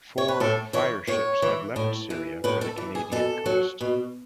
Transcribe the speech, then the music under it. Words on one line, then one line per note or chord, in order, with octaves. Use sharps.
Four fire-ships had left Syria for the Candian coast.
C#5
B4
A2 A4
E3 C#5
A2 C#5
E3
A2
E3
A2 B4
A4
E3
G#4
B2 A4
F#3
B2